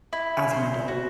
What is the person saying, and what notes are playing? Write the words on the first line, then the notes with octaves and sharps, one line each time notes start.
as an adult."
E4
C5
F#4